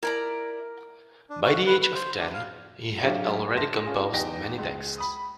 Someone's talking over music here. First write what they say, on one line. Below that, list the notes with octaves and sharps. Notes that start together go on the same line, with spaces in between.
By the age of ten he had already composed many texts.
E4 A#4 D5 A#5
D4
F#4
B4
B4
C5
D4
F5
F#3 D4 G4 A4 C#5 F5
E5 A5 C6 A#6 E7
C#4 F4 G#4
E2 D#4 G4 G5 A#6
C#2 G#3
B5 D#6